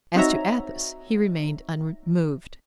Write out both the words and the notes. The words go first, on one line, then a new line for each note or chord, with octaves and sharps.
As to Athos, he remained unmoved.
C4 D#4 F#4 C#5 E5 A#5